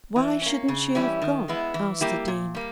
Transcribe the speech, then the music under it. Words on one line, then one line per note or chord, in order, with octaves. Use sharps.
"Why shouldn't she have gone?" asked the Dean.
E3
A#3 C#4
C#3
E3 G3 C#4 E4
D#3
G#3 B3 E4
E3
G3 A#3 E4 G4
A#2
G3 A#3